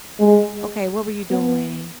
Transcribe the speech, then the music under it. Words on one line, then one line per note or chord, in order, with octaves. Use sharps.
"Okay. What were you doing?
G#3
B3